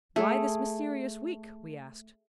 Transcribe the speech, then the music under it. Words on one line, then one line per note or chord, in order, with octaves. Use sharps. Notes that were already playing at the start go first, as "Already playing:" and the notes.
"Why this mysterious week?" we asked.
A3 G#4